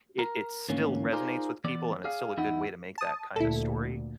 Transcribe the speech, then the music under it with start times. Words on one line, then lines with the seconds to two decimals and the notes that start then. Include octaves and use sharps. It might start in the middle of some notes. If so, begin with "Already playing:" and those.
it it still resonates with people and it's still a good way to make that kind of story,
0.19 A#4
0.69 D2 G#2 E3 A#3 C#4
1.12 D#4 F4 G#4 A#4 C5 D5
1.64 E3 B3 D5
2.04 G#4 D5 F5
2.37 E2 D#4 E4 D#5 F#5
2.98 A5 D#6
3.36 D2 A#2 E4 A4